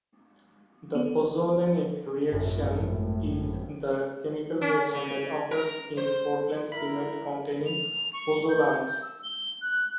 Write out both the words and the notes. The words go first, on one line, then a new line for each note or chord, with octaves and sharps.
The pozzolanic reaction is the chemical reaction that occurs in portland cement containing pozzolans.
B3
G#1 F#2 A2
C#4
C#3
A#4
C5
E4 A#4 B5
F7
C#6
G6
E6
G7
F#6